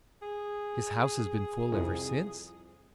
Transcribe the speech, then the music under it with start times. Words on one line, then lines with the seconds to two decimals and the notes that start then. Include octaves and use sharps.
His house has been full ever since.
0.22 G#4
1.72 C2 F2